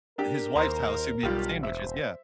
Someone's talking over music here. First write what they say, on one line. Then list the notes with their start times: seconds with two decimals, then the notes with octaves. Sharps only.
His wife's house who made the sandwiches, yeah.
0.18 D4 G4 A#4
0.55 D#2 C5 A#5
1.23 B1 G3 F4 G4
1.63 E1 C5 E5